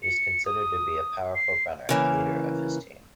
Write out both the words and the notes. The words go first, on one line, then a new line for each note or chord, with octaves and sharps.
He is considered to be a powerful runner and leader of his team.
C#7
D#6
C7
C#3 E3 A#3